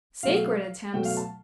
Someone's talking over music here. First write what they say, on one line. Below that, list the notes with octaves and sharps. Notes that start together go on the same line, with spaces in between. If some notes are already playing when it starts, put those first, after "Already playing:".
Sacred attempts!
B2 F#3 A3 F5
B2 F#3 A3 G5
F5
A5